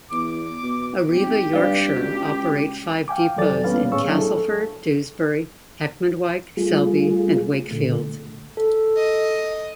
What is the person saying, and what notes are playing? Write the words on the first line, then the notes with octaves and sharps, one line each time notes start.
Arriva Yorkshire operate five depots in Castleford, Dewsbury, Heckmondwike, Selby and Wakefield.
E2 D6
B2
G#1 G4
G2 B4 D5 F5
C#2 F#4
F5 G5 G#5 D6
F2 D#3 F#3 A4 D5 A6
G3 A#3 B3 C#4 B4 F5
A2 G#4 C#5 F5 C#6 E6
F#3 D4 E4 G#4
A4
G3 A3 F4 G#4
A#2 D3 A3
A4
D#5